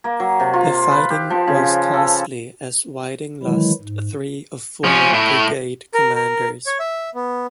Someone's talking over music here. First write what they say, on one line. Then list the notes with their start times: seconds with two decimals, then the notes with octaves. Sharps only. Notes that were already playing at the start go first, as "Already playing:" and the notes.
The fighting was costly as Whiting lost three of four brigade commanders.
0.04 A#3
0.20 F#3
0.40 C3
0.53 F4
0.92 B4
1.10 G4
1.30 F3
1.47 C#3
1.94 A4
3.43 D#3 E3 F#3 G#3 E4
3.81 G#2
4.84 F3 C#4
5.13 A2 E4
5.94 A#4
6.15 A#4
6.66 C#5
6.80 E5
7.15 B3